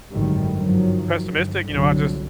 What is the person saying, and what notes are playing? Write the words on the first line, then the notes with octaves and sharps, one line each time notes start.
pessimistic, you know, I just
G#1 F#2 D3 D#3 G3 A3
G1 D#3 F3 F#3
G1
G1 C2 D3 F#3